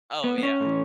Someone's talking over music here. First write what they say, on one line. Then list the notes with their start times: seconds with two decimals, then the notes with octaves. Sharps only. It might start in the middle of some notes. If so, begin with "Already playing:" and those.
Oh, yeah.
0.24 B3
0.38 B3
0.43 C#4
0.60 A2 E3